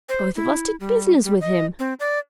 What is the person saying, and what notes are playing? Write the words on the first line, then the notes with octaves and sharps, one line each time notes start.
Both of us did business with him.
C5
E4
G3
G3
D#5
C4
D5